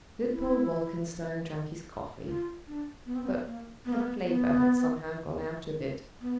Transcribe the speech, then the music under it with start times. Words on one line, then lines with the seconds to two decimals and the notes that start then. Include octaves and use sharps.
Luitpold Wolkenstein drank his coffee, but the flavour had somehow gone out of it.
0.32 E4
2.28 F4
2.67 D4
3.06 B3
3.15 C4
3.24 B3
3.46 A#3
3.85 B3
3.93 A#3
4.00 B3
4.24 B3
6.21 B3